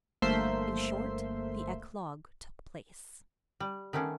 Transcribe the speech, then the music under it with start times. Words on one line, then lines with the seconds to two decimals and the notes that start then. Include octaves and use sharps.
In short, the eclogue took place.
0.22 G1 A3 A#3 C5 E5 C6
3.60 G3
3.93 D#3 A3 B3 C#4 D4